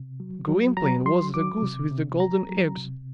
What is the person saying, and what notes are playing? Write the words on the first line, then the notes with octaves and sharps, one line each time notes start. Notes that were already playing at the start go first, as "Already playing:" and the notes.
Gwynplaine was the goose with the golden eggs!
Already playing: C3
F#3
F#3
F#3 A#5
F#3 C6
F#3 D6
C3
C3
F#3 A#5
F#3
C3